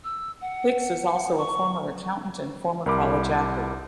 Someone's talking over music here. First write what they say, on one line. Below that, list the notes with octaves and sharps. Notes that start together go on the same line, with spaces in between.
Hicks is also a former accountant and former college athlete.
E6
F#5
C#6
C2 A#4 B5 D6